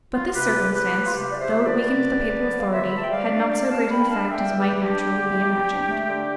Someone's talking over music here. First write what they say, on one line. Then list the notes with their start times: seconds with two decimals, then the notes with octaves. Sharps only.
But this circumstance, though it weakened the papal authority, had not so great an effect as might naturally be imagined.
0.13 B3 F4
0.33 C3 G4 B4
0.52 E2
0.72 F3 G4 B4
0.93 B3
1.05 F4
1.12 C3 G4
1.31 E2 D5
1.39 C5 E5
1.52 F3
1.65 B4 D5
1.72 B3
1.92 C3
2.12 E2
2.31 F3
2.51 B3
2.60 F5
2.71 D3 C5 E5
2.87 B5
2.91 E2 A5
3.03 G5
3.11 G3 D5 F5
3.31 D4
3.50 D3 D5 F5
3.70 E2 F5 A5
3.90 G3 G5 B5
4.10 D4 F5 A5
4.30 D3 E5 G5
4.51 E2
4.57 G4 B4
4.71 G3
4.83 G4
4.90 D4
5.10 D3
5.30 E2
5.50 G3
5.69 D4
5.89 A3
6.09 D3